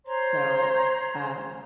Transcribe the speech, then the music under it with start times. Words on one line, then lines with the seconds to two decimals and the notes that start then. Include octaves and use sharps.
So, um,
0.05 C5 C#5 A#5 C6